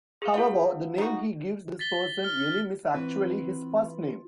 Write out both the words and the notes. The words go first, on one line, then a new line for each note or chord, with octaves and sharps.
However, the name he gives this person, "Elim", is actually his first name.
G#4 F5
B3 F4 F5
D#4 F#4
A6 B6 G7
F6 G7
E3 C4 F4 B4